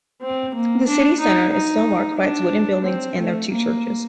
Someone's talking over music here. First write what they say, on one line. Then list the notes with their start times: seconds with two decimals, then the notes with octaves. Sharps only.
The city centre is still marked by its wooden buildings and their two churches.
0.22 C4
0.54 A#3
0.87 D4
1.20 D#4
1.53 D#4
2.18 D4
2.85 C4
3.17 A3
3.51 A#3